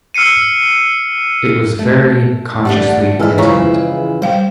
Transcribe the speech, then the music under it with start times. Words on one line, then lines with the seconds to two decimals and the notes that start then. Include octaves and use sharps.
It was very consciously intimate.
0.14 E6 F6 C7 C#7 D#7
1.79 A3
2.65 G3 A3 D4 F#5
3.19 E3 G#3 E4 A4 F6
3.38 C#3 F3 E4 C#5 A#5 C#6
4.22 G3 C5 F5 G5